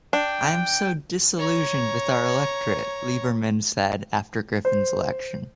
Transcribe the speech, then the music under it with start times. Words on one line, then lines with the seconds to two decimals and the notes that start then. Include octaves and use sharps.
"I am so disillusioned with our electorate," Lieberman said after Griffin's election.
0.13 D4 G5
1.38 C#5 A#5
4.65 C5